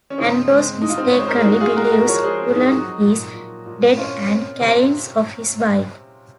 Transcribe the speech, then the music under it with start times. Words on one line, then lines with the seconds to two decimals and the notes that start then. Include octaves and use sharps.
Andros mistakenly believes Cullen is dead and careens off his bike.
0.10 C#4
0.18 C#3 C4 D#4
0.50 G#3 C4
0.82 G#3 D#4
0.90 F4
0.97 C4 D#4
1.12 G#3 C#5
1.20 C5
1.28 A#4
1.36 G#4
1.45 G#3 D#4 F#4
1.60 F4 G#4
1.76 G#3 F#4 A#4
1.92 F#4 A#4
2.08 F3 A#4 C#5
2.24 G#4 C5
2.40 C4
2.55 D#4 F#4
2.71 F#3 D#4 F#4
3.03 A#2
3.34 A#2
3.66 A#2
3.97 C4 C#4 F4
4.28 C4
4.60 C3 C4